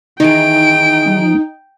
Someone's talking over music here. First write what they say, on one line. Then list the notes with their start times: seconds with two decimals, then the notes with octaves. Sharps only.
I mean,
0.20 D#3 E3 D#4 G#4 G5 D7